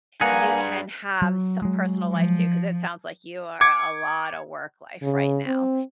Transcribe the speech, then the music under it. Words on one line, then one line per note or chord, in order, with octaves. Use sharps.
you can have some personal life, too, 'cause it sounds like you are a lot of work-life right now.
G2 A#3 G#4 F#5 G#5 A#5
F#3
F#3 G#3
F3
D6 G#6 C#7
C#3
C4